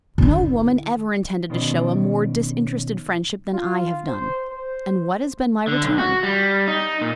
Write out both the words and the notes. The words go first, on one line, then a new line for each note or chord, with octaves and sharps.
"No woman ever intended to show a more disinterested friendship than I have done; and what has been my return?"
D3 E4
B2 D#3 C#4 C5 D5
F4
C5
C5
D3
B1
F#4
G3
D#4
A#2